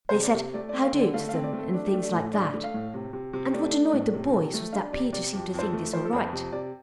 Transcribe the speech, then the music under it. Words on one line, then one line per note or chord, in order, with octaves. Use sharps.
They said 'How-do?' to them, and things like that; and what annoyed the boys was that Peter seemed to think this all right.
C5
C3
D5
C3
A3 D5
D5
C4
F5
D3
D5
A3 F5
F5
C4
D5
A3
A4
D4
G4
A3
D5
A2
D4 D5
A3
F5
A2
C3
C3
C3
A3 D5
D4
A2
C3
C3
A3
D4 F5
C3 D5
C3 D5
F2 G4
F2 C5
A4
A3
F3 C5
A4
F2 C5
C3
C3 D5